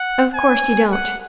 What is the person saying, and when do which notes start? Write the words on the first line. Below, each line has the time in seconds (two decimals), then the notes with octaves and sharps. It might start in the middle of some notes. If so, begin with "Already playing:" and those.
Of course you don't.
Already playing: F#5
0.34 G#5
0.92 F#5